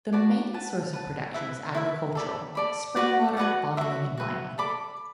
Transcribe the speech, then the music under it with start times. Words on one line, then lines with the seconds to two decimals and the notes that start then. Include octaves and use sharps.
The main source of production is agricultural, spring water bottling and mining.
0.13 F#4 B4 D5 A5
0.53 B4 F#5 A5
0.93 B4 F#5 A5
1.34 E4 B4 E5
1.75 E4 B4 E5
2.15 A4 D5 B5
2.55 A4 D5 B5
2.96 F#4 B4 D5 F#5
3.37 F#4 B4 D5 F#5
3.77 F#4 B4 E5
4.18 F#4 B4 E5
4.58 A4 D5 B5 D6